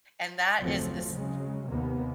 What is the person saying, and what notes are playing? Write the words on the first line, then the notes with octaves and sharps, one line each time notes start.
And that is a s
F#1 D#2 F3 F#3 A3 C4
C#3 F#3 G#3
D#2 C3 A#3 B3